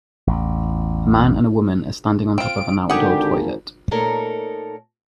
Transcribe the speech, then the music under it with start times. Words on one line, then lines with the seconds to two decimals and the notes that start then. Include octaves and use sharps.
A man and a woman are standing on top of an outdoor toilet.
0.27 A1 E2
2.38 C4 F4 D7
2.90 G#1 D3 G4 G#4 F#5
3.91 A#2 A3 D#4 A4 A#4 C#5